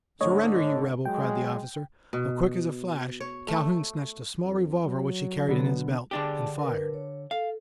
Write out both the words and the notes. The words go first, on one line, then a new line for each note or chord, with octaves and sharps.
"Surrender, you Rebel!" cried the officer, but quick as a flash, Calhoun snatched a small revolver which he carried in his belt, and fired.
G#2 D3 A3 C#5 D#5
F#3 G#3 G5
B2
C#5
A3
F2
F#3
D3 B3
D3 D4 G4 G#4 D5 A5
A#4 B4
C#5
A4 F5